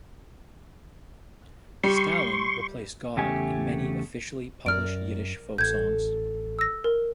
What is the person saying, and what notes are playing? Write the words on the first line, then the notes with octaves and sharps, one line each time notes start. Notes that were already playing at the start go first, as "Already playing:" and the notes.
Stalin replaced God in many officially published Yiddish folksongs.
G3 C6 C#6
E2 C#3 A3 G4 G#5
F#2 A#4 D5 F6 D7
A1 A4 G6 G#6
E6 A#6
A#4